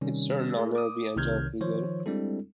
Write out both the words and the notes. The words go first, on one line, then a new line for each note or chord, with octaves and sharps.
It’s certain I’ll never be angelically good.
C3 D#3 G3 C#4
A3 G#4 A#4
D6 D#6
C2 C3 D#3 F6 G6 G#6
D#3 F3 C5 C#5
G3 G#3 C4 D4 E4 A4